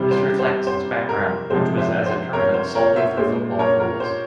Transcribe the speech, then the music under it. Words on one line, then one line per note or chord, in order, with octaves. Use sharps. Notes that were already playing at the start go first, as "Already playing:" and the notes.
This reflects its background, which was as a tournament solely for football pools.
Already playing: C3 E3 G3 C5
C5
C5
C5
A#4
C3 F3 G#3 C5
C5 E5
C5
A#4 C#5
C5
A#4 C#5
C5 E5
A#2 G#3 C5
A#4 C#5
A#4
C5